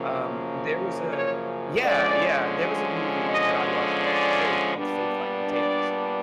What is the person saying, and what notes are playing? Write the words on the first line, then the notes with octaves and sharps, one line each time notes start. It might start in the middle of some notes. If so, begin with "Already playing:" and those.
Um, there was a Yeah yeah, there was a movie that I watched when I was a kid called Faith Like Potatoes,
Already playing: F#2 C#3 F3 A#3 C#4
C#5
D3 F3 G#3 C#4 D5
D#5
D5
A#2 G3 B3 D4
D5